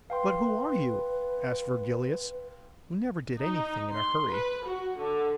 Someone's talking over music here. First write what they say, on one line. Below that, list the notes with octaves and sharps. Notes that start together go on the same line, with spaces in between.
'But who are you?' asked Virgilius, who never did anything in a hurry.
B4 F5 G5 C6
D#4
C6
B4
F#4
D3